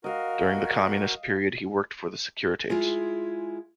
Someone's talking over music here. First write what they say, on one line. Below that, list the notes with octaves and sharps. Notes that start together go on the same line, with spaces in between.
During the communist period, he worked for the Securitate.
F#4 A#4 D#5 F5
G#3 E4 F4 G#4